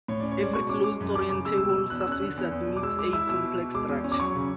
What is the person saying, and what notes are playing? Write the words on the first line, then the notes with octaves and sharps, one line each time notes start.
Every closed orientable surface admits a complex structure.
A2 C#5
D5
C#4
C#5
G#3 D5
B2 C#6
C#4 D6
G#3 D6
F#2
F#2 D6
C#3 D6
G#3 E6
E6
B2
E6
B2
E2 F#6
E6
C#4
F#6
D3
E2
E2
B2
D6
G#3 E6
G#3 D6
E4 E6
B2 E6
B2
B2
G#3 D6
E2
C#4
D6
F#3 C#6
C#3